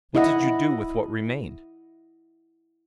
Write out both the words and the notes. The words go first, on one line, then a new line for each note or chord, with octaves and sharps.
"What did you do with what remained?"
E4 D#5 F#5